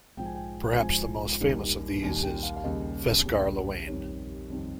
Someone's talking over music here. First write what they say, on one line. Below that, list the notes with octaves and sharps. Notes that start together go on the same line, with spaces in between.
Perhaps the most famous of these is 'Feasgar Luain'.
G#2 F3 G5
G#5
G5
G#2 F3 G#5
D#2 D#3 G3
D#2 D#3 G3 G#5
G5
F5
F5
D#2 C#3 G3 D#5
D#2 C#3 G3
F2 D#3 G3 C#5
F2 D#3 G3